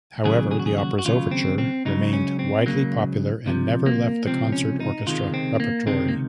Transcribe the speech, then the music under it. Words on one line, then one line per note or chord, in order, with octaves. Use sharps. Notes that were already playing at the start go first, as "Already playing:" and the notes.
However, the opera's overture remained widely popular and never left the concert orchestra repertory.
D#2 C#3 F#3 G#4
G#4
F#4
G#4
F#4
F#4
D#2 C#3 F#3 F4
C4
C4
C#2 C#3 F#3 D#4
C#4
C4
C#2 C#3 F#3 A#3
C#2 C3 F3
A#3
C#2 C3 F3 C4
C#4
D#4
C#2 C3 D#3 G#3 F4
C4
A#3
C#2 C3 D#3 G#3 C4
A#3